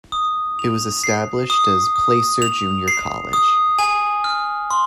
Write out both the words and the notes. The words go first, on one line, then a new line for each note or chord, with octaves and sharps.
It was established as "Placer Junior College".
D#6
F7
C7
D#6
D#6
F7
C7
D#6
G#5
F6
C6